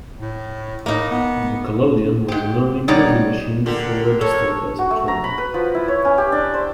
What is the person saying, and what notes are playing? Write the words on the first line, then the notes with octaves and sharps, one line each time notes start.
"Nickelodeon" was an early movie machine before registered as a trademark.
A2
A2 A#3 D#4
B3
G#2 G4
B2 G3 D#4 C#5 D5
D3 G4 A#4
A4 C#5
F#4
A3
A#5
B5
B4
F3
E4
C#5
C#4
G4
D4
C5